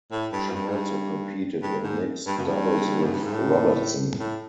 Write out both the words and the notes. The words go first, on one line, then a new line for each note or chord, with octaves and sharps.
She also competed in mixed doubles with Robertson.
A2
G2
F#2
G2
G#2
G2
G2
G#2
G2
F#2
G2
F#2
G2
G#2
A2
A2